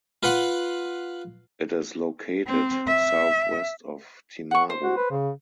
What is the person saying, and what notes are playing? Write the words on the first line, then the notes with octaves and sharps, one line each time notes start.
It is located southwest of Timaru.
F4 B4 F#5 C6
C4
E5
F#5 C#6
C5
F#4
B4
C#3